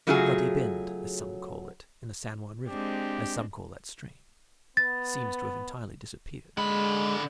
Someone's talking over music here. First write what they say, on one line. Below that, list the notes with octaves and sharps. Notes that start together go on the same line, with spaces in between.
The Bloody Bend, as some call it, in the San Juan River, as some call that stream, seems to have entirely disappeared.
C#3 F#3 A3 F4 F#4 G#4
G#3 C4 D4 G4
B3 A6
D3 G#3 B5